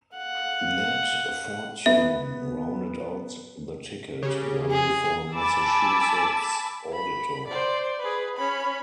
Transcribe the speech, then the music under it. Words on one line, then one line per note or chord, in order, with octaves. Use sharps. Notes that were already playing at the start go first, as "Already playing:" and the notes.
Nat Fortune rounded out the ticket, running for Massachusetts Auditor.
F5 F#5
B3 E5
C#3 G4
G#4
G#5 A5 B5 D6 E6
B5
C5 D5
G#4 B4
C#4 B5